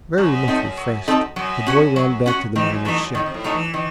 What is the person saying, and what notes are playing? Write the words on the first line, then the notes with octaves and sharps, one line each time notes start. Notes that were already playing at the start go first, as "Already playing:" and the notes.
Very much refreshed, the boy ran back to the miners' shack.
F#2 F#3
C4 D#4 A4
F#3
C4 D#4 A4
F#2 F#3
C#4 F#4
F#3
C#4 F#4
D#3 E3
F#2
E3 F#3 A3 D#4
F#2
A2 D#3
C3
A2
F#3 A3 D#4
E3
D#3 E3